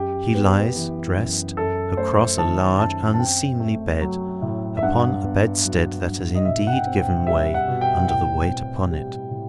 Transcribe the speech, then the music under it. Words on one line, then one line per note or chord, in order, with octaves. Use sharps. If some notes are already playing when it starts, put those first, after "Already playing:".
He lies, dressed, across a large unseemly bed, upon a bedstead that has indeed given way under the weight upon it.
Already playing: F#2 G4
B3
E3
F#2
F#2 A4
A3 C5
D#3 A5
F#2 A5
A5
C4 G5
A3
F#3
A2
E5
G2 F#5
B3
F#3
G2
D#5
B2 E5
F#5
G5
C4
G5
G3 E5
F#5
B2
G5
A2 G5
C4
G3
A2